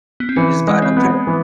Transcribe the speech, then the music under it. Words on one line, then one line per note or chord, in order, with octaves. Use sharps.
You just buy it on credit,
B3
C4
E3 C#4
G#3
C4
B3
E3